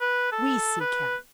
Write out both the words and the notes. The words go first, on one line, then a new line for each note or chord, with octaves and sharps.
We seek him.
B4
A4
B4